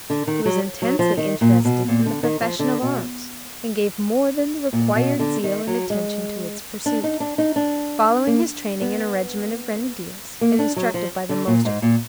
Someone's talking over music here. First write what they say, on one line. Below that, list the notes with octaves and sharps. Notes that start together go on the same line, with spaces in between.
He was intensely interested in the profession of arms and gave more than the required zeal and attention to its pursuit, following his training in a regiment of Grenadiers, and instructed by the most experienced officers.
D3
D#3
F#3
F#3
F3
D#3
A#2
B2
A#2
D3
D#3
F3
D3
B2
A#2
B2
D3
D#3
F#3
G#3
D4
D#4
D4
D#4
D4
A#3
B3
A#3
D4
F#3
F3
D3
A#2
G#2
A#2